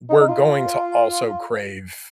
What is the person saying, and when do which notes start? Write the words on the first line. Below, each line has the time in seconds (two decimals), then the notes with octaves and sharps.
we're going to also crave
0.09 D#4
0.20 D#4
0.28 F4